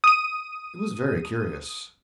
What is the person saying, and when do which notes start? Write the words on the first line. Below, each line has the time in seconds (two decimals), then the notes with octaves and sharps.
It was very curious.
0.04 D#6 D#7